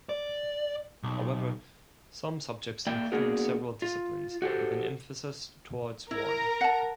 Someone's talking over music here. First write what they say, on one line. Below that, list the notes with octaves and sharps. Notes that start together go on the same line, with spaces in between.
However, some subjects include several disciplines, with an emphasis towards one.
D5
B1
A#3 D5 E5 G5
A#3 B3 D4 F#4 G#4 A#4
F4
F#4 G4 A4 C5
E4 A#4 A#5
F#5 A5